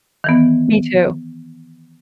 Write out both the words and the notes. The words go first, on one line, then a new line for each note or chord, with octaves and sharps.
Me too.
D#3 E3 B3